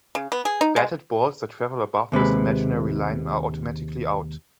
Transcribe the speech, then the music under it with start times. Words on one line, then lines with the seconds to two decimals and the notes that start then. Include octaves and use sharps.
Batted balls that travel above this imaginary line are automatically out.
0.15 C#3
0.32 B3
0.45 G#4
0.61 D#4
0.76 G#3
2.12 D#2 C3 G#3 B4